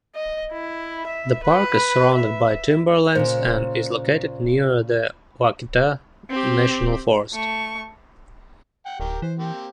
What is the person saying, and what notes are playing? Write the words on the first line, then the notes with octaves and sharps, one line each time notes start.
The park is surrounded by timberlands and is located near the Ouachita National Forest.
D#5
E4
E5
B4
E5
A#2 C#3 C5
C4 G4
A3 C#6
F#5 G5
D1 G4 A#4 G5
E3 C5
A#3 C4 G4